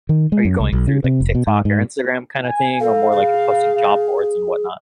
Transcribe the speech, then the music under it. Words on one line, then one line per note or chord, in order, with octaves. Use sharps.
are you going through like, TikTok or Instagram, kind of thing, or more like, you're posting job boards and whatnot?
D#3
G#3
F#2
C2
B1
C#3
C3
F1
B2
G#2
G#2
G#5
A4 F5
G#4